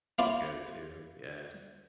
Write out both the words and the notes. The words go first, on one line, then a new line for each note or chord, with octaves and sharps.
The go-to. Yeah.
A#3 C4 E4 F4 D5 F5